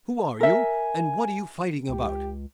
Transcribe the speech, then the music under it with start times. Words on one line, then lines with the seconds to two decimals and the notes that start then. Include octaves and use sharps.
"Who are you? and what are you fighting about?"
0.40 A#4 E5 G#5
1.89 C#2 G4